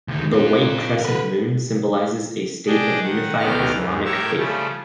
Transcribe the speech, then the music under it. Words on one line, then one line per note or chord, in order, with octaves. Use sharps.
The white crescent moon symbolizes a state of unified Islamic faith.
D2 D#3
A#2 C4 F4
A#2
D3 A#4 B4
D4 G4 G#4 D5 D#5
D#3 F#5
D2 B2 D#3 B3 G4 F6
E2 G#2
A2 G4 A#4 C#5 C#6 E6
C#3 F3 G3 A3